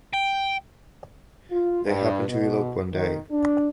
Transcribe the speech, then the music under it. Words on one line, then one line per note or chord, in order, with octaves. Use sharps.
They happen to elope one day.
G5
F4
G2
B2
D#3
D4